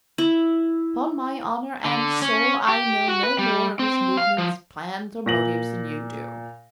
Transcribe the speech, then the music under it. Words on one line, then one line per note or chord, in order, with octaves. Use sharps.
Upon my honour and soul I know no more of his movements, plans, or motives, than you do.
E4
D3
C#4
G4
F#4
B4
G3
C4
F5
F3
A#2 A#6 F#7